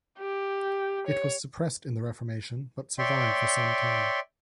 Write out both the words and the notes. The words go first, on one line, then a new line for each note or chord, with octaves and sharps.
It was suppressed in the Reformation, but survived for some time.
G4
C#5
C#5 D5 E5 G5 C6